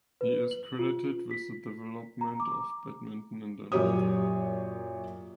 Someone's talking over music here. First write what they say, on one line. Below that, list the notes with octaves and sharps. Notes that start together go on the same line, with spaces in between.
He is credited with the development of badminton in Denmark.
B4
F#7
F4
B6
A#5
D6
F#2 A#2 G4 C#5 D#6